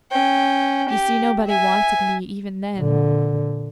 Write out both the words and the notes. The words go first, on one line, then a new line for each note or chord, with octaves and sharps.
You see, nobody wanted me even then.
C#4 G5
G4
E5 G#5
A#2 D3